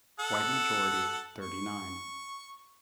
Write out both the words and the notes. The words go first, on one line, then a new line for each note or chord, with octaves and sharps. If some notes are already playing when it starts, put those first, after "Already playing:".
White majority, thirty-nine.
A4 F#5 E6
C#6